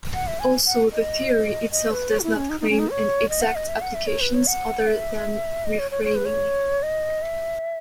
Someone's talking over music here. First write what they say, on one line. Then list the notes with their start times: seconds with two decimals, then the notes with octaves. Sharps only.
Also, the theory itself does not claim and exact applications other than "reframing".
0.14 F#5
0.27 E5
0.40 G#5
0.67 F#5
0.92 D#5
1.71 D#5
1.91 B4
2.10 C#5
2.19 F#4
2.24 E4
2.36 C#4
2.50 D#4
2.61 D#4
2.70 C#4
2.79 D#4
2.90 C#5
3.29 D#5
3.42 F#5
3.55 D#5
3.68 E5
3.81 F#5
3.94 E5
4.07 C#5
4.21 B4
4.34 C#5
4.47 F#5
4.87 E5
5.66 D#5
5.79 C#5
5.91 C#5
6.04 C#5
6.15 B4
6.25 C#5
6.83 D#5
7.22 E5